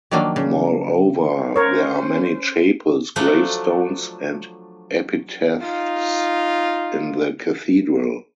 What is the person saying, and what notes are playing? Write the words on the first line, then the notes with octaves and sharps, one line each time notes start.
Moreover, there are many chapels, gravestones and epitaphs in the Cathedral.
D#3 F3 F#3 A#3 D4
C#3
C#4 A#4 C5 C#5
F3 F#3 A3 D4
D#4 F4